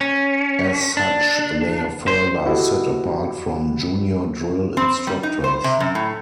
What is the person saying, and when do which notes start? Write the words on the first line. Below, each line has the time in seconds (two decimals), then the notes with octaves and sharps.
As such, they are further set apart from "junior" Drill Instructors.
0.01 C#4
0.97 D4
2.08 C5
2.45 E4 F#4 G4 A4 D#5
4.77 C4
5.07 G3
5.23 D#4
5.44 C5
5.64 C3
5.80 F#2
5.95 A2